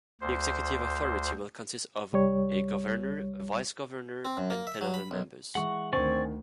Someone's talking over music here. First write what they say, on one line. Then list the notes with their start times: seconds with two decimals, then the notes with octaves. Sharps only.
The executive authority will consist of a governor a vice-governor and ten other members.
0.21 D2 C5
2.13 C2 G3 C#5
4.25 C4
4.37 F#2
4.50 A#3
4.67 E5
4.81 F#3
4.94 B5
5.11 B1
5.55 E3 G#3 F#5 C#6
5.93 D2 D3 D#3 C4 D5 G#5 C#6